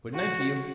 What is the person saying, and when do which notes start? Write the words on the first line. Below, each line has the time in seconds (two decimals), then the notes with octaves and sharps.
"Good-night to you."
0.15 F#4